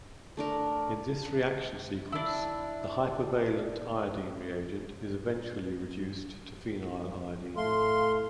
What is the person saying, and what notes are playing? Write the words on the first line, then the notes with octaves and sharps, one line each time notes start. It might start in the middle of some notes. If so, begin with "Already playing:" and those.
In this reaction sequence the hypervalent iodine reagent is eventually reduced to phenyliodine.
A3 D4 A#4
D4 E4
A2 A3 F5 C6